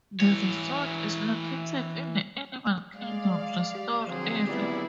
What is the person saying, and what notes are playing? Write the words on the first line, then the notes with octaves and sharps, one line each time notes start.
The resort is located in the Animal Kingdom Resort Area.
E3 C#5
G#3 D5 F5
G4
D3 F3 F#3 C4 G#4 C5
F#3 B3 E4 F4 G4 D5 E5